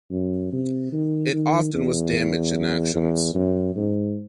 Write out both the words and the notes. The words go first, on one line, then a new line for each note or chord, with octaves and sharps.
It often was damaged in actions.
F#2
C3
D#3
D#3
E2
E2
F#2
G#2